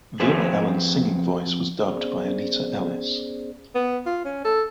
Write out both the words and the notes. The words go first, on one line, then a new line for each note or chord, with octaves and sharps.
Vera-Ellen's singing voice was dubbed by Anita Ellis.
F2 G#4 B4 C5
B3 C#4 G#4 C5 D5
B3
F4
C#4
A4